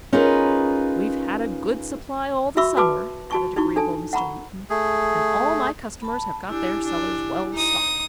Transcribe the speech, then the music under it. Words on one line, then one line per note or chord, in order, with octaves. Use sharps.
"But we've had a good supply all the summer," added agreeable Mr. Wootten, "and all my customers have got their cellars well stocked."
C#4 D#4 F4 G#4 A#4 B4
F#4 E5 B5 C#6 E6
F#4 B4 A5 D6
F#4 A5 C#6
D#4 E4 F#4 C#6
D4 A4 A5
F#5 A#5 B5 C#6
A3 G#4
A5 B5
D4 E4 G4 G#5
D4
D#4 D#6